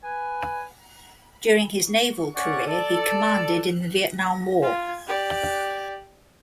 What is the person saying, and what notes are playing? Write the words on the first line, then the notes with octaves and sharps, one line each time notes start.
During his naval career he commanded in the Vietnam War.
B4 G#5
C#4 D5 F#5 C#6
A4 D5
F4
G4 D5